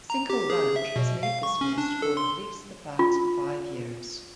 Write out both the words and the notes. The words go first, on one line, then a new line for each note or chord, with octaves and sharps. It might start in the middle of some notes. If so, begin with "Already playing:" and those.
Cinco Ranch has made this list for at least the past five years.
A#5
G4
G#4
E5
B2
F5
C#6
C#4
D4
A4
C6
F4